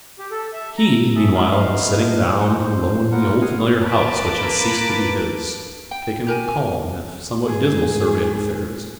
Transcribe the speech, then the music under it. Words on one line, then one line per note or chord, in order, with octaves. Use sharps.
He, meanwhile, was sitting down alone in the old familiar house which had ceased to be his, taking a calm if somewhat dismal survey of affairs.
G4
A4
E5
A#5
G#4 E5 A5
A3 B3 D#4 F5
G#3 C5 F#5
C5
B3 F4 A#4 F#5
G#4 F5 F#5 G#5
A#3 A#4 B4 A5 D6
G5
G4 A#4 G#5
G#5
G#2 G#4